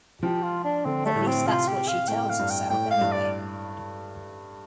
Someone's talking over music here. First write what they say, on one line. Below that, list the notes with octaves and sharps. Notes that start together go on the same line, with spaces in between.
At least that's what she tells herself anyway.
F3 G4
F4
D4
D3 C4
A3
A2
C4
C3 F4
G4
F5
A2 G5
F5
G2
G5
A2 G5
F5
G2
D5